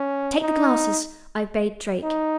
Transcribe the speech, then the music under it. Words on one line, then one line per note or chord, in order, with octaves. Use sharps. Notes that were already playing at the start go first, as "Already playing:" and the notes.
"Take the glasses," I bade Drake.
Already playing: C#4
D#4
D#4